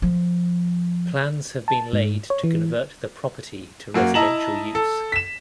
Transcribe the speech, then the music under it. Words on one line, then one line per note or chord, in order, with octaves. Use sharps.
Plans have been laid to convert the property to residential use.
F3
A5
G#2
C#5
E3
F#2 A#3 F#4
E4 D#5 A5 A#5 E7 F#7
A4
B6 E7